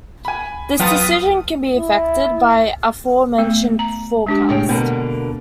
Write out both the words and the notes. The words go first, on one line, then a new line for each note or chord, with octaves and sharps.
This decision can be affected by aforementioned forecast.
G#5 B5
F#3 B3 F4 G5 A5 D#6 A6
E4
A3 B3
A#5
G#3 D4 G4
A2 C#3 G5
B2 D3 A#3 B3